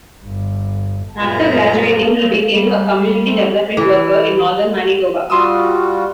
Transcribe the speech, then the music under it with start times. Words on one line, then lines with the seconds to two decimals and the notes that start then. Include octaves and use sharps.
After graduating, he became a community development worker in northern Manitoba.
0.24 G1
1.19 F#2 A#2 B3 F4 A#5
2.53 G3
3.27 A3 C4
3.77 E3
5.30 G3 F4 F#4 C6 D#6 E6